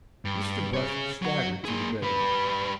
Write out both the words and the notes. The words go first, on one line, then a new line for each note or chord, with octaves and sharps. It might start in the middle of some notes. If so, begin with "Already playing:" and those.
Mr. Brush staggered to the bedroom.
G2
G#4 C#5
F#3 F#4
A#3 G#4
G3 B4